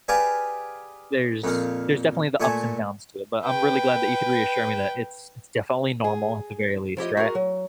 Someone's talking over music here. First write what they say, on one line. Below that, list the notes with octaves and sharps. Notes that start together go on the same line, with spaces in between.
there's there's definitely the ups and downs to it, but I'm really glad that you could reassure me that it's it's definitely normal at the very least, right?
G4 G#4 B4 D5 F5 G#5
F2 A#2 F5
A#2 A3 E5 G#5 A5
B4 G5
G#4
F3 E4 G4 D#5
F#4 G#4 A#4
F#3